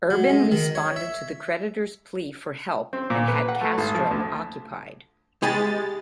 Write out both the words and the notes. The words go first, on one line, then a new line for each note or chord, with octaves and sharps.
Urban responded to the creditors' plea for help and had Castro occupied.
F#3
G#3
D#3
C#5
E5
C4
A#2
B4
F#5
A3
G#1
F3
D2
G#3 G4 G#5 B5 A6